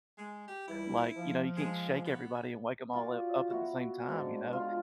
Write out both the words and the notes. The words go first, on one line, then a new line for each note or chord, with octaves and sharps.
Like, you know, you can't shake everybody and wake 'em all up up at the same time, you know?
G#3
G4
C#2 E3 G3 E4
F3
G#3
B3
F4 F#4 D5
B3 E4 F#4
G#2 D3 D5
F4